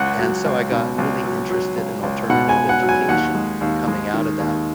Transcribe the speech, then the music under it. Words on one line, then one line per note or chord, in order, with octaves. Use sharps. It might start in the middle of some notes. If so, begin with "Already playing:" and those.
And, so I got really interested in alternative education, coming out of that.
Already playing: C#2 F#5
F#3
C#2
B2
C#2
F#3
F#3
C#2
C#2
B2 F#5
G#5
C#2
F#5
F#3
G#5
D#2 F#5
G#3
D#2
G#3
D#3
D#2